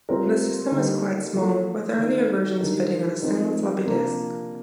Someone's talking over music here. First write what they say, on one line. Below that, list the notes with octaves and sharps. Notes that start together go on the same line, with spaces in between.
The system is quite small, with earlier versions fitting on a single floppy disk.
G3 C4 F4 A#4
D3 G3 A#3 D#4
F3 A#3 F4 A4
D#3 A3 D#4
D#3 G3 D4 G4 A#4
F3 C4 D#4 A#4
C3 F3 A#3 D4